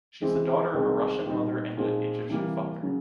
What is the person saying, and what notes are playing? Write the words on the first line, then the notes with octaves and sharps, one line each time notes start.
She’s the daughter of a Russian mother and a Egyptian father.
E3 G#3 C4
C2 C3 D#3 G#3 C4
A#2 G3 C4 D#4
A#2 F3 G#3 C4 D#4
C3 E3 G3 A#3
C#3 F#3